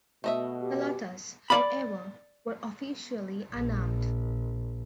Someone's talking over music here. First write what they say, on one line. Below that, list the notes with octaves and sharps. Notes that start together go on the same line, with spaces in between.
The Lottas, however, were officially unarmed.
B2 A3 D#5 E5
G4
D5 B5
A#1